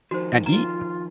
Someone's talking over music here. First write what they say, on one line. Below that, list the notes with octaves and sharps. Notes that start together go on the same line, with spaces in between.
and eat,
D#3 F3 F#4 C5
F4 A#5